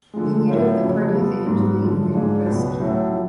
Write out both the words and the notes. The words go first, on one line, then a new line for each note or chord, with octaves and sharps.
The leader of the party is Angele Mitreski.
D3 F3 G#3
A2 F#3 C#4 F4
F2 C#3 F#3 A3 C#4
F2 F3 B3 F4 A4
G#2 F#3 B3
F#2 D3 F3
G#2 G#3 D4 F4 G#4
C#2 B2 F#3 B3
A2 F#3 C#4 F#4 A4
F3